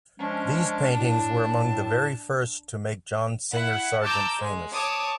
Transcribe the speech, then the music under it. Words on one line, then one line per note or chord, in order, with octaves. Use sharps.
These paintings were among the very first to make John Singer Sargent famous.
F3 G#3 C#4 D4
A2 A5
E4 F#5
A5 A#5 D6 E6 G6
G#3
C#5 A5 D6 D#6